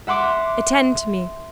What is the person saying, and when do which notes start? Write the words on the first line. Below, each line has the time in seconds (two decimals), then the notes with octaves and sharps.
"Attend to me."
0.07 E5 F#5 C6 D6